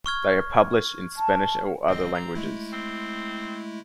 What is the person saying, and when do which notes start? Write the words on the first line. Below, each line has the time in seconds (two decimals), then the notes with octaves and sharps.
They are published in Spanish or other languages.
0.06 C#6 F6 G#6
1.17 A5
1.88 G1 C2 C4 D#5
2.15 A#5
2.35 G#3 A3 E4
2.72 C4